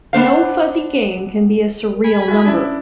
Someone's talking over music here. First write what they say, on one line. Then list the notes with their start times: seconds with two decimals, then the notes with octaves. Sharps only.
No fuzzy game can be a surreal number.
0.13 B3 D4 C5 F5
1.92 A#4
2.04 G#4 G#5 B5
2.28 E4 F#4
2.45 C#4 D4 E4